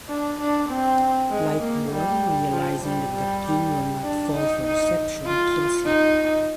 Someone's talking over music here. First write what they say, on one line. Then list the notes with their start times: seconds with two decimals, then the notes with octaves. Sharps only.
Lightborn, realizing that the king will not fall for deception, kills him.
0.08 D4
0.39 D4
0.69 C4
1.31 G#3
1.61 A#3
1.90 G3
2.52 F3
2.83 G3
3.13 G3
4.04 D4
4.34 D#4
4.65 D#4
5.26 F4
5.86 D#4